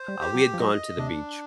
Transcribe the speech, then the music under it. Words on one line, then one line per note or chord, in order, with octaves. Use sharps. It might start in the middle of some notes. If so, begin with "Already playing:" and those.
uh, we had gone to the beach,
Already playing: C5
G3
G4
F#3
F3
F#3 D#5
C3 D4